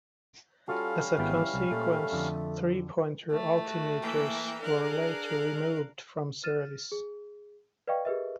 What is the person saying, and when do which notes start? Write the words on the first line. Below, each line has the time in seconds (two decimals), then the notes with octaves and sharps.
As a consequence, three-pointer altimeters were later removed from service.
0.68 G3 C#4 F4 F#4 A4 F5
1.18 G#1 B3 E4 G5
1.54 C2
1.71 A#2 A3
2.12 F2 D3
3.31 A3
3.64 F#4
4.01 E3 A#3 G5
4.60 D4 G#4 A#4 F5 F#6
6.44 F6 A6 D#7 E7
6.92 G#4
7.87 B4 D5 D#5 F5 G5 C#6
8.05 G4 G#4 A#4 B4 D#5 E5